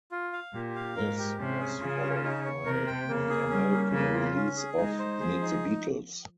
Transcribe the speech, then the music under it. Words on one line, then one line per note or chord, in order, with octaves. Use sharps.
This was followed by the American release of Meet the Beatles!
F4
F5
A#2 G4
F5
G#2 A#4
G4
C3 C#4
G#4
C#3 F4
C#4
D#4
C#5
C3 A#4
G5
C#3 A#3
G#4
G3 C#4
A#3
C#3 A#3
F4
C#4
G#4
G#3 D#4
C5
F3 G#4
D#4